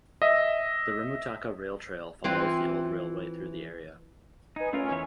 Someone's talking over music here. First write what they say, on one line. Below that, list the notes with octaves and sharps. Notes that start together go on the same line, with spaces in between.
The Remutaka Rail Trail follows the old railway through the area.
D#5 E5
E3 C4 F4
D#4 B4 D#5 G#5
A3 C#4 F4 A#4
E2 E4 C#5